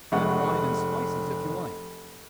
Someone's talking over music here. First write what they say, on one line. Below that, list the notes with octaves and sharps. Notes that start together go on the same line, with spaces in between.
Add wine and spices if you like.
F1 G#3 F#5 C#6